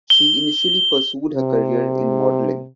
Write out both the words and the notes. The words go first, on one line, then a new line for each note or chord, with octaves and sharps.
She initially pursued her career in modelling.
G7
C3